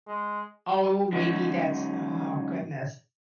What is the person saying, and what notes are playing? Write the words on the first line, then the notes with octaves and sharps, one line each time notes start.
Oh, maybe that's Oh, goodness.
G#3
D3 F#3 G#3 C#4 D#4